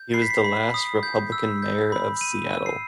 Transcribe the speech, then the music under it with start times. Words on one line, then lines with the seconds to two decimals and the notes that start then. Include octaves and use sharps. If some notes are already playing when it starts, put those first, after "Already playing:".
He was the last Republican mayor of Seattle.
Already playing: G6
0.14 B5 C7
0.22 B6
0.30 C7
0.44 B5
0.74 D#6
1.03 G6
1.32 E6
1.62 G6
1.92 B5
2.21 B5 D#7
2.52 E6
2.66 C7